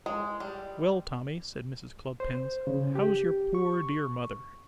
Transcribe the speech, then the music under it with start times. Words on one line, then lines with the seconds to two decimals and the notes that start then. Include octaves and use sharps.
'Well, Tommy,' said Mrs. Cluppins, 'how's your poor dear mother?'
0.06 G#3
0.40 G3
2.20 C5
2.67 C#3
2.95 G4
3.55 C#6